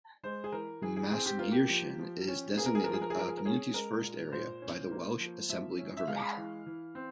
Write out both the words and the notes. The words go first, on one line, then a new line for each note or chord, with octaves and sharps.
Maesgeirchen is designated a 'Communities First' area by the Welsh Assembly Government.
G#3 C5
G#4
E3 A#4
E3 G#4
G#4
C4 G#4
G4
A#3 F4
G4
F3
F3
C#4
A#3 G#4
A#4
G#4
F3 A#4
G#4
A#4
G#4
F3 A#4
G#4
A#4
C#4 G#4
G#3 A#4
A#2
A#2 C5
C#4
A#3
F3
F3 E5
C#4
E5
G#3 F5
E3
E3
C4